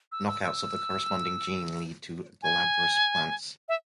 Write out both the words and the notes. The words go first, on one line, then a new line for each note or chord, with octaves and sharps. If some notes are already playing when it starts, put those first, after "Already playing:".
Knockouts of the corresponding gene lead to glabrous plants.
E6
E6
E6
G#5
E5